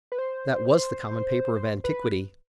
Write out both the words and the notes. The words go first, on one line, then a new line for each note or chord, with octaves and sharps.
"That was the common paper of antiquity."
B4
C5
B4